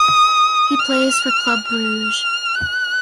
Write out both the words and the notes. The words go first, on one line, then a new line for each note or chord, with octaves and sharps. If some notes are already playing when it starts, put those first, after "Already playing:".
He plays for Club Brugge.
Already playing: D#6
F6
F6
F#6